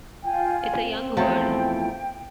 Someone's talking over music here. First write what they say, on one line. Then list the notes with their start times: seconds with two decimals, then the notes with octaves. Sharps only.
It's a young word.
0.25 F4 G5 G#5
0.79 C4
1.17 E2 F3 A3 G5